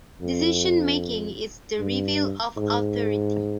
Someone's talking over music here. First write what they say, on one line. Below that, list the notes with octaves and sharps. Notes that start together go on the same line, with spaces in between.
Decision-making is the reveal of authority.
F2
G2
G#2